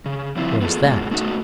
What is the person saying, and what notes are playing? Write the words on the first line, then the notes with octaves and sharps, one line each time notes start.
"Where's that?"
C#3
F3 C4 E4 F4
B3 F4 G#4 A4
G#2 B2 G#3
A3 D#4 F#4